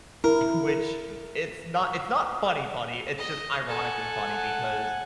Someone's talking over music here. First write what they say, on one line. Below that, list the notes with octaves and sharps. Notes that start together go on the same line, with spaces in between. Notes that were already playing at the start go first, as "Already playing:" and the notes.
which it's not it's not funny funny, it's just ironically funny, because
E4 A#4
D#5
A4 F#5 G#5